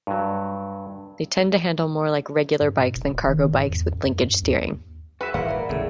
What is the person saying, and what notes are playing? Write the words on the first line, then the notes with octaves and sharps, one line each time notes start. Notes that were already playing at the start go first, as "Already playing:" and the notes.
They tend to handle more like regular bikes than cargo bikes with linkage steering.
G2 F#3
G2
B2
D#1
D1
D#3
G#2
E2
F#2
G2
D#2
F#4 G#4 B4 E5
D#1 G#2 E3 A#3 B4 E5 F#5
A#4 D5 B5
G1 E2 A2 C#3 A3 G#4